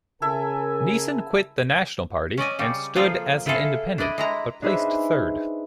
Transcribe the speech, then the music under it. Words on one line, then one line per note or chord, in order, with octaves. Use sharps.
Neeson quit the National Party and stood as an independent, but placed third.
C#3 E4 A4 A#4 E5 G#5
C#4 D5 D#5 G#5
C#3 G3
F3 A#3 F4 G#4 A4
E4 F4 G#4 A4 E5
D4 E4 D5 D#5
G#3 E4 A#5
D4 D#4 G#4 B4 C5 E5